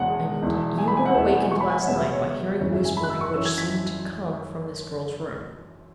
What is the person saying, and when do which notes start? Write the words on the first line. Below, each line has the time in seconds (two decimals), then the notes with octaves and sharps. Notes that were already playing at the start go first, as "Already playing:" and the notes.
"And you were wakened last night by hearing whispering which seemed to come from this girl's room."
Already playing: E1 E2 C#3 G#3 F#5
0.43 E1 E2 E3
0.78 G#5
0.88 B5
0.97 G#5
1.06 F#5
1.15 E1 E2 E3 B3 E5
1.27 F#5
1.39 G#5
1.52 C#6
1.61 B5
1.70 G#5
1.78 F#5
1.83 C#5
1.87 E2 B2 B3 E5
2.00 E5
2.12 C#5
2.60 G#1 F#2 C#3 E3 C#4 C#5
2.73 E5
2.85 G#5
2.97 B5
3.03 F#6
3.10 E6
3.21 C#6
3.33 F#2 E3 C#4 E6
3.45 G#6
3.58 B6